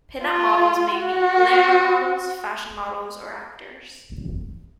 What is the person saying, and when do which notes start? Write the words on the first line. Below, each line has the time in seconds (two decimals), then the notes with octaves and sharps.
Pin-up models may be glamour models, fashion models, or actors.
0.24 F4
0.96 F#4